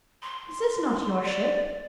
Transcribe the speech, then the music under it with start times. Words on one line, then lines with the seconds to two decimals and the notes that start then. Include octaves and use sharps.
This is not your ship.
0.22 C6
1.25 D5